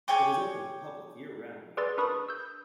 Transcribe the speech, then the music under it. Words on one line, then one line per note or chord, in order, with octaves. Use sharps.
It is open to the public year-round without charge.
G#4 C#5 G5 D6
G#4 B4 D5 C6 E6 A6
D4 A#4 B4 B5 C#6 D#6
E6 G6